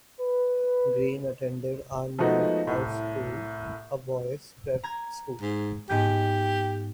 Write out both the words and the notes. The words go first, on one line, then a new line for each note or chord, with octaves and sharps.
Green attended Arnold House School, a boys' prep school.
B4
F3 G#3 A3 B3 D#4 F#4
C2 A2
A#5 G#6
G#2
G#2 B3 G4 G6